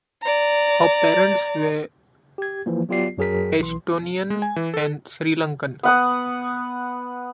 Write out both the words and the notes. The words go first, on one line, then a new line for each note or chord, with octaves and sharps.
Her parents were Estonian and Sri Lankan.
D5 A#5
G4 G#6
E3 F3 A#3
F#3 B3 F4 G4 D5 C7
F#2 F#3 G#4 A#4 B6
B1 E3 C6
G#3
G#5
E3
A4
B3 F#5 D#6